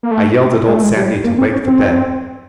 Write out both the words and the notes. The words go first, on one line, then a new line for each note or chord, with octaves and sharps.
I yelled at Old Sandy to wake the dead.
A#3
A3
G#3
A3
G#3
G3
A#3
C4
C#4
C4